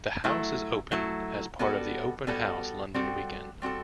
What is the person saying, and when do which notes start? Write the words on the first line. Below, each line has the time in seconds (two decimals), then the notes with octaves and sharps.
The house is open as part of the Open House London weekend.
0.24 F#3 A3 E4
0.92 F#3 A3 E4
1.59 G3 B3 F#4 A4
2.27 G3 B3 F#4 A4
2.94 G3 C4 F#4 A4
3.62 G3 C4 F#4 A4